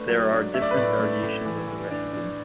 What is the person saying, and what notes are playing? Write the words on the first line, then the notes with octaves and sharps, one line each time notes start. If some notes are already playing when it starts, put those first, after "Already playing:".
There are different variations of the recipe.
Already playing: A3 D4 B4
F#3
D4
A3 E5
D5
B4
A2 D5
A3
A2
E3
E3
D4
D4